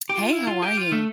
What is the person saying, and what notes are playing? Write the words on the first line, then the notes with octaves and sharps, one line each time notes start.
Hey, how are you?
G4
F4
E4
F4
G4
F4
A3